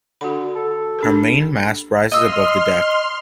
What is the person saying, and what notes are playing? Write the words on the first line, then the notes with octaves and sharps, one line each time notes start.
Her main mast rises above the deck.
D3 F#4 B5
A4
D4 G4 A#4
D#5 C6 E6 F6